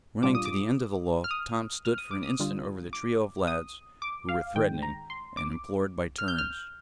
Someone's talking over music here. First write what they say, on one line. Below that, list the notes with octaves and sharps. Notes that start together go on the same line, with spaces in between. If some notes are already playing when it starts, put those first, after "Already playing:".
Running to the end of the loft Tom stood for an instant over the trio of lads who were threatening and imploring by 'turns.
A#2 G3 D4 F4 D6
D#6
D6
F6
D#6
F6
D#6
D6
D#6
D3 G3 D4 F4
D6
D#6
D6
F5
G#2 D#3 G#3 G5
A#5
C6
D6
F6
G6
F6